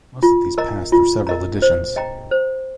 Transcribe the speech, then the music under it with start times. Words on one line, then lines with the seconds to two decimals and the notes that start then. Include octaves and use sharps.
Most of these passed through several editions.
0.23 F4
0.58 A#4 D#5 A#5
0.92 F4
1.27 A#4 D#5 A#5
1.62 C5
1.96 D#5 G5 A#5
2.31 C5